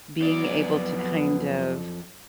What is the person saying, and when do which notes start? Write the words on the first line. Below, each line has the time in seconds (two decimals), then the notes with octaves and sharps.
being able to kind of,
0.20 F2 F#3 B3 D5